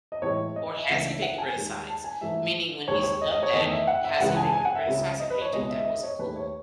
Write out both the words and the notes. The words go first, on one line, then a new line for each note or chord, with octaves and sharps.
Or has he been criticized? Meaning when he's done that, h has he been criticized like, "Hey dude, that wasn't cool."
D#5
A2 E3 G#3 C#5
D#5
E5
C#2 C#3 E3 A3 E5
E5
F#5
G#5
D#2 D#3 G#3
A5
G#5
G#2 E3 A3 E5
D#2 D#3 G#3 C#5
C#5
D#5
D#5
C#5
E2 D#3 A3 D#5
E5
F#5
E5
C#2 C#3 E3 G#3 F#5
G#5
A5
G#5
F#5
E5
C#2 C#3 G#3
D#5
B4
C#5
C#2 B2 G#3 D#5
E5
D#5
C#5
D#2 D#3 A3 B4
C#5